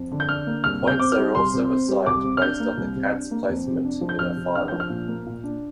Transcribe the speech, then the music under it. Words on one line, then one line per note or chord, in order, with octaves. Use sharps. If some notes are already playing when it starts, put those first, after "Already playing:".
Points are also assigned based on the cat's placement in a final.
Already playing: F2
D3
G6
D4 F6
A#3
C2 F6
C3
G6
C4 D6
F6
G3
C2 C6
C3
C4
G3
C2 D6
C3
F6
D4 G6
A#3
C2
C3
D4
A#3
F2
C3
D4
F3
G6
F2 F6
C3
D4 F6
F3 G6
F6
A#2
A#3
A#2
D4